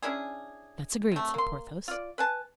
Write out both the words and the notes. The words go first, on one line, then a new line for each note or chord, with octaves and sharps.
"That's agreed," said Porthos.
C#4 D4 E4 G#4
C3 A3
A#3 C6
F4 D5
B4 G#5 A5